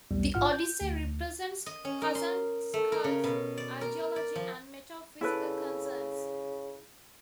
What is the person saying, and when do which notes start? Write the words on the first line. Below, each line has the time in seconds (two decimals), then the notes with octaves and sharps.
The "Odyssey" represents Kazantzakis' ideology and metaphysical concerns.
0.11 B1 E2 G3
0.34 A1 G#2 F4 F#5 F6
0.52 G6
0.81 D2
1.66 D#5
1.85 C#4
2.02 A#4
2.15 C6
2.74 A3
2.92 A#4
3.04 C#3
3.24 B2
3.57 D5
3.81 A#4
4.16 D5
4.35 F3
5.21 C#3 E4 A4 B4